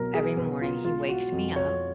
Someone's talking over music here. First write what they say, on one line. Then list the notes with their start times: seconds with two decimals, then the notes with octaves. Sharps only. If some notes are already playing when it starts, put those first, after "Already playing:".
every morning he wakes me up.
Already playing: B2 F#3 A#4
0.14 G#4
0.37 B2 B4
0.61 F4
0.85 G#3 F4
1.09 F#4
1.32 F2
1.56 C#5